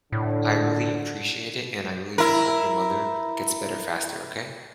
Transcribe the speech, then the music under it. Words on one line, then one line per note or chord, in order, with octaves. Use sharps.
I really appreciate it, and I really do hope your mother gets better faster, okay?
A2 D3
E4 A#4